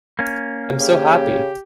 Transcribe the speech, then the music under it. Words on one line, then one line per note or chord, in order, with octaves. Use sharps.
I’m so happy.
A#3 C#4
C#3 G4